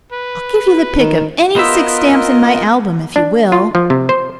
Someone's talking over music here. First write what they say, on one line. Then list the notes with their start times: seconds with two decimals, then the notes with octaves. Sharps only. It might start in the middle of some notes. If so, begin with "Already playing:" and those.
"I'll give you the pick of any six stamps in my album if you will."
0.12 B4
0.99 D#3
1.56 B3 F4 A#4 C5 D#5 E5
3.16 D4
3.52 F4
3.75 F3
3.90 C3
4.09 C5